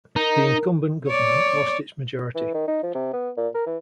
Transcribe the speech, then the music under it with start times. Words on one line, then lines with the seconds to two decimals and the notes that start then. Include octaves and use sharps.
The incumbent government lost its majority.
0.16 D#4 A#4
1.08 C#5 D5
2.35 E3
2.54 D#3
2.68 D#4
2.83 F3
2.95 C3
3.13 B3
3.37 A#2
3.55 A#4
3.66 E3